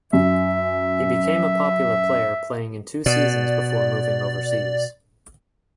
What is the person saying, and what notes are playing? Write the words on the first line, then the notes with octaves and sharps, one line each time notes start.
He became a popular player playing in two seasons before moving overseas.
F#2 E5
B2 D5